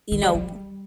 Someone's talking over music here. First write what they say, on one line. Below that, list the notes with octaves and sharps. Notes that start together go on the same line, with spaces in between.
You know, w
D#3
G3
G3